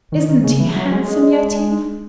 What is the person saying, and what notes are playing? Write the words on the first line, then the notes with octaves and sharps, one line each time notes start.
Isn't he handsome, Yetive?
D#3
D#3
C#3
E3
F#3
G#3
G#3